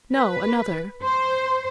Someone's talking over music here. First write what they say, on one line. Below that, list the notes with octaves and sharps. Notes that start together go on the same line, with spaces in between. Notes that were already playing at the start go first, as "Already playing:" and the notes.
"No, another."
B4
C5